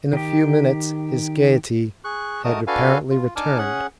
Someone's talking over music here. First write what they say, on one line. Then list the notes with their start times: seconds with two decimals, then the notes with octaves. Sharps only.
In a few minutes his gaiety had apparently returned.
0.13 D#3 G4
2.04 G#4 C#6 F#6
2.44 G#3 A3 F#4 A#4 A5 D#6
2.67 D4 F#4 A4 B4 F5 G#5
3.11 F4
3.36 D4 D#4 G#5 A5 D6 F6
3.58 C#4 G#4 F#5